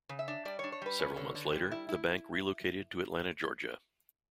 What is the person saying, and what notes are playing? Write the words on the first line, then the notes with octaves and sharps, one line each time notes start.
Several months later, the bank relocated to Atlanta, Georgia.
C#3
E5
D4
G3 D5
C#5
D4
C#5
G3 B4
C#4
D3
D3
G3
E4
E4